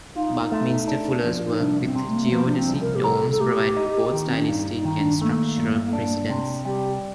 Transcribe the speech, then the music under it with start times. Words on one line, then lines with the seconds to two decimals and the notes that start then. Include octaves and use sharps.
Buckminster Fuller's work with geodesic domes provided both stylistic and structural precedents.
0.15 D#4 F4
0.52 A3
0.88 D4
1.23 F3
1.49 D#4
1.60 C2 D4
1.84 C4
1.96 C3
2.08 A3
2.15 A#3
2.23 A3
2.32 F3 A#3
2.46 D4
2.56 C4
2.68 C2
2.81 A#4
2.95 G4
3.04 A4 A#4
3.30 A4
3.40 A3 G4
3.77 D#4
4.13 D#3
4.26 C4
4.38 D4
4.49 G2 D#4
4.73 D#4
4.85 D#3
4.97 D4
5.21 A3 A#3
5.57 G2
5.93 D4
6.30 C3
6.65 G3 G4